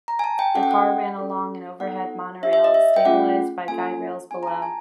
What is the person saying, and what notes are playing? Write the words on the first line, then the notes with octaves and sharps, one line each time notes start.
The car ran along an overhead monorail, stabilised by guide rails below.
A#5
G#5
A5
G5
C#4 F#4 A4 F#5
G5
F#5
C#4 F#4 A4
B3 D#4 F#4 A4 F#5
D4 G4 E5
E5
D#5
E5
G5
A3 C#4 F4 G#4 F#5
A#3 C#4 F4 A4 G#5
B3 D4 F4 G#4 G#5
A#5
A5
G#5